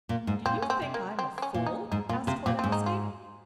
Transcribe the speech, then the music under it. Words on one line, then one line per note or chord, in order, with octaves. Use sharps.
"Do you think I am a fool?" asked Twardowski.
A#2
G#2
A#2 C4
C#4
C4
C3
A#3
C4
C4
C#4
A#2
D#4
G#2 D#4
A#2 F4
C3 F4
A#2 G4
G#2 F4
D#4
F4